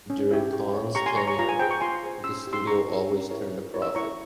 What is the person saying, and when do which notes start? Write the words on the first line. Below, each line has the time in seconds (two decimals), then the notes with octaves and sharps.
During Cohn's tenure, the studio always turned a profit.
0.10 C#4
0.31 E4 G4
0.53 G4
0.74 C#5
0.95 G4 A#5 C#6
1.06 G#5 C6
1.16 C#5 A#5 C#6
1.27 A#5 C#6
1.39 F4 A#5
1.49 G#5
1.59 G#4 C5 G5 A#5
1.71 C#6
1.81 F4 G#5 C6
2.03 G#4 C5
2.24 C#4 C6 E6
2.45 E4 G4
2.53 C6 E6
2.67 C#4 A#5 C#6
2.89 E4 G4
3.10 C#4
3.31 E4 A#4 C#5
3.52 C#4
3.74 E4 A#4 C#5
3.82 E6
3.95 E4 A#5 C#6